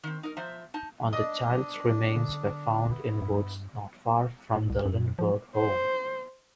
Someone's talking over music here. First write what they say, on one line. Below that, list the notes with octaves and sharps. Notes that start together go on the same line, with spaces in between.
On the child's remains were found in woods not far from the Lindbergh home.
D#3 C4
D#4 A#4
F3 C5 E5 A#5
D#4 A5
D4 D#5
D3
B3 E4
G2
A2
C2
F#2
F3
C5